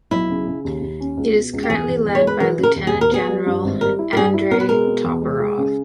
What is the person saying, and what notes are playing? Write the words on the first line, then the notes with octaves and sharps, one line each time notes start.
It is currently led by Lieutenant General Andrey Toporov.
B1 E4
C#3
C#3
D#2
D#2
C#4
C#2
B2
C#2
G4
E2 G#4
E2
E2
C#5
G#3 B4
E3 A#4
C#3
A#4
D#2
G#4
D#2
A#4
B3 G#4
G3
G2
G#1
G3 A#4
E4
A#4
G2 G#4
E4
B2 A#4
B4
G#3 A#4
B2
E2
G#3
G#3
C#3